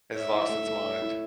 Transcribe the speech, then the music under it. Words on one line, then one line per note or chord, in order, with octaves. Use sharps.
has lost its mind.
C#5 E5
E4
A3
A3
C#5
E4